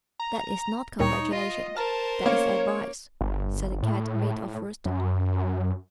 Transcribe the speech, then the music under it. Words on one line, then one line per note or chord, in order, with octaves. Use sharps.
"That is not congratulation; that is advice," said the Cat-made-of-worsted.
A#5
D2 A#2 G3 D#4 C#5
F4 D#5
A#4 C5 A5 A#5 F6
A#3 B3 C#4 C#5
G1
A2
F#2